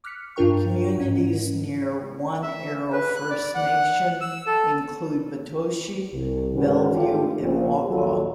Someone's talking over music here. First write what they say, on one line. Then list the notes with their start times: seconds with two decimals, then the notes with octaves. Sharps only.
Communities near One Arrow First Nation include Batoche, Bellevue, and Wakaw.
0.04 D6 F6 F#6 B6 C#7
0.36 G2 D4 F4 A#4 G5 C#6
0.98 G#2 C#4
2.42 E5
2.92 B4
3.16 F#6
3.30 D5
3.55 F#5
4.21 E6
4.47 A4
6.13 C2
6.54 G#2 D#3 C#4 F#4 B4
6.95 G#1 A3 F4 G4 A4
7.40 A#1
7.87 A#1 D#2 F#3 F4 A4